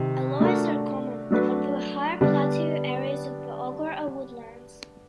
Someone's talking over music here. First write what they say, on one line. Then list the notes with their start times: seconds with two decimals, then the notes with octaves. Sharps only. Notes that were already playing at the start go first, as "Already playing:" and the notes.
Aloes are common, and on the higher plateau areas of the Ogo are woodlands.
Already playing: C3 D#3
0.40 A3 D4 F#4 A#4
1.31 F#3 A3 D4 F#4 B4
2.21 D3 G3 B3 D4